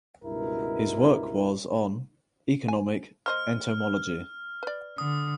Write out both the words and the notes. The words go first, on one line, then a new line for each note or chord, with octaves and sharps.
His work was on economic entomology.
C#2 G2 B2 E4 A#4
G#5
A#3 C5 D#5 F6
B4 D5
D3 D#6